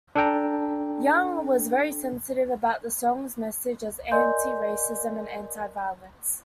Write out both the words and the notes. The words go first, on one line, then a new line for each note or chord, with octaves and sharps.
Young was very sensitive about the song's message as anti-racism and anti-violence.
D4 A4 G5 A#5
A#4 D5 D#5 G#5 C6 G6